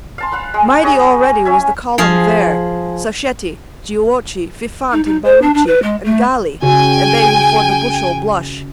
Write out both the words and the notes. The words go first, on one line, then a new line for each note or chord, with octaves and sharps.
Mighty already was the Column Vair, Sacchetti, Giuochi, Fifant, and Barucci, And Galli, and they who for the bushel blush.
F5 A5 C6
F5 F#5 B5
G#3
G4 G#4 C#5 D#5
C#4 E5 G#5
F3 G#4 F5
D#4
D#4
C5
D4
D4
B4
G#3
A3
C#3 F#4 G5 G#5